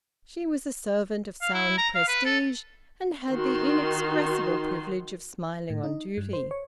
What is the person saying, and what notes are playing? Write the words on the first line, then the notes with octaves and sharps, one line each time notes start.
She was a servant of sound prestige, and had the inexpressible privilege of smiling on duty.
F5
E4
A#5
F5
B4
A4
D#3 D#4 F#4 C6
A2
D#4
G2
C5
C#5